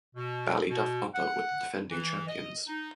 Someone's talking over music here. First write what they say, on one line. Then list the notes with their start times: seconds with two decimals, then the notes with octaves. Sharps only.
Ballyduff Upper were the defending champions.
0.16 B2
0.69 B2
1.14 F#5
1.91 E3
2.27 D#5
2.68 D#4